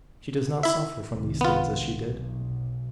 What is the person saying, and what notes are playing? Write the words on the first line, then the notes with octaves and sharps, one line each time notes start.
She does not suffer from these things as she did.
E4 E5
C2 D#3
B3 F4
B1